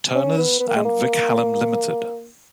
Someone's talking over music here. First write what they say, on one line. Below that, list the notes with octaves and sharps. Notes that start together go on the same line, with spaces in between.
Turners, and Vic Hallam Limited.
C#4
B3
B3
A#3
G#3
A#3